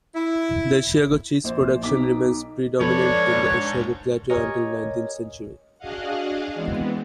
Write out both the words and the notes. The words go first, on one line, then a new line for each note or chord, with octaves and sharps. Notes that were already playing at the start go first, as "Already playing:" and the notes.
The Asiago cheese production remains predominant in the Asiago Plateau until the nineteenth century.
E4
A#1 C5
B1 D#4 D6 B6
F2 G#2 D4 A4 B4 C#5 B5
G4 A#4 C#5 D#5 G#5
D4 F#4 G#4 D#5 F5 F#5
E3 G#3 B3 C4